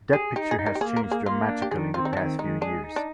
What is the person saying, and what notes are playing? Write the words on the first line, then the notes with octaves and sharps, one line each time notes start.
That picture has changed dramatically in the past few years.
G4 G#4
D#4 G4
G#4
D#4
A#4
G4
A#3 G#4
A#4
A#3
G#4
A#3 F4
D4
G4
D#3 G#4
C4 F4
D#4
D4
D#3 D#4
G#3 D#4
D4 G#4
D#4
D4